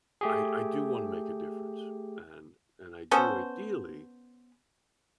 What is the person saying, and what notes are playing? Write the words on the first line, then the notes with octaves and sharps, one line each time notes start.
I I do wanna make a difference, and and I do ideally
A3 G4 G#4
B3 C#4 A4 C5